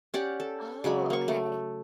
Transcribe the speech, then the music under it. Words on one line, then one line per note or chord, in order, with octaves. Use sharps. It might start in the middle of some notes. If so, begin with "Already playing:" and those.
Oh, okay.
C#4 G4 D5 F#5
A4
C#3 F#3 G#3 B5
A#3 C#6
A3